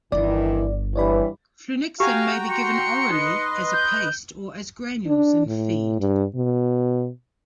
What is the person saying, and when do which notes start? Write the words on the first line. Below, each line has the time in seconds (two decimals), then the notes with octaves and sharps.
Flunixin may be given orally as a paste or as granules in feed.
0.12 G1 D#3 E3 E4 D5
0.96 G2 E3 G3 C#5 D5 B5
2.00 F#4 G4 F5 G5 G#5 A#5
2.50 C6 C#7
3.11 D#4 B4 D#5
3.73 G6
5.06 D4
5.47 A2
6.00 G2
6.35 B2